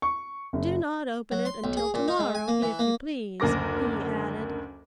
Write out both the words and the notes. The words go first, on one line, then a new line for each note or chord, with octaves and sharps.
"Do not open it until to-morrow, if you please," he added.
C#6
F#1
F#3
C6
B1
G#4
A#2
D#4
G#3
G#5
A#3
E3
A#3
F#1 D2 A#4 D6 A#6